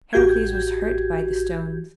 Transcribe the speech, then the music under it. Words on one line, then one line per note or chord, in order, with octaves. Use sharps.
Heracles was hurt by the stones.
A1 F#4 G4 G6 G#6